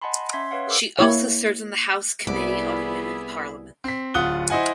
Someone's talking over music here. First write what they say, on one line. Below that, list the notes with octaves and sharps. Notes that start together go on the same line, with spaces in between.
She also serves in the House Committee on Women Parliament.
D#5 F#5 G#5 A5 B5 C6
C#4 E5 C6 G#6 B6
B4 C#5 F5 F#5
G#4 A#4 C5 D6 E6
A#3 E4 C#5
C2 B3 E4 G#4 D5
C4 B6
D1 F4 F#5 D#6 F#6 G7
E4 C5 D#5 F#5 G#5